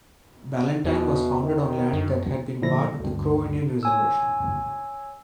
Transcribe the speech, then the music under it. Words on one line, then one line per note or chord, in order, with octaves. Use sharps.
Ballantine was founded on land that had been part of the Crow Indian Reservation.
E2 B2
D#3
F#2
A#2 D3 F3 E4 A#6
D2 G2
C#5 G#5 E6